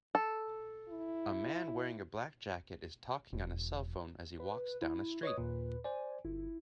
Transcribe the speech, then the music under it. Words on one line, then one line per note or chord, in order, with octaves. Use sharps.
A man wearing a black jacket is talking on a cellphone as he walks down a street.
A4
E4
E1
B4
E4
B4 C#5 D#5 D#6
D#2 A#2
C5 D5 G#5
G1 E4